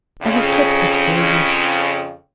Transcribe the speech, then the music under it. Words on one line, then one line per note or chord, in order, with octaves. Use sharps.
I have kept it for you.
F2 C#3